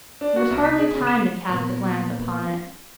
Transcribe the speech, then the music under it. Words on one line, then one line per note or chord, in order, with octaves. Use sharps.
There was hardly time to cast a glance upon it.
D4
F#4
C2
B6
G#4
C#3
E7
A#2 A#3 B3